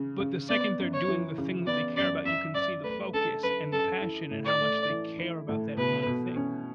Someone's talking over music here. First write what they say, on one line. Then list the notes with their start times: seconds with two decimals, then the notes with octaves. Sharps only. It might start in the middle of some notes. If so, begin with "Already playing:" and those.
But the second they're doing the thing that they care about, you can see the focus and the passion and how much they care about that one thing,
Already playing: C#3
0.20 C#3
0.49 B3 D5
0.79 F#2
0.94 C#5
1.08 E3
1.38 C#3
1.67 B3 D5
1.96 F#2 D5
2.25 F#2 E5
2.55 F#2 D5
2.84 A3 B4
3.14 D3 A4
3.43 F#2 B4
3.72 F#2 A4
4.02 E4
4.31 A2
4.45 D5
4.61 A3
4.90 E3
5.19 E4
5.49 A2
5.77 B2 B4
6.06 B2
6.36 C#4